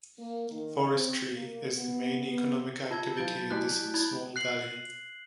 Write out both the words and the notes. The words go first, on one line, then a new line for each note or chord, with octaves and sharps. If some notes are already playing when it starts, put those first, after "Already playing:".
Forestry is the main economic activity in this small valley.
A#3
D#3
C4
A#3
B3
B3
F4 A5 G#6
F#3 G6 A6 D7
A3 E4 F#4 F#6
E4 B5 G#6
F#6 C7 F#7